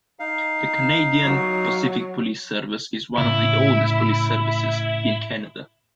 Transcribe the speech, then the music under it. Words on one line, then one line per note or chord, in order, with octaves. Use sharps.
The Canadian Pacific Police Service is one of the oldest police services in Canada.
D#4 F5
F#3
A2 C#3 E4